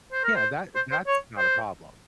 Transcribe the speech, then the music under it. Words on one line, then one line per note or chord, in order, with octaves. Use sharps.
Yeah, that that's not a problem.
C5
A#4
C5
C5
C5
C#5
C5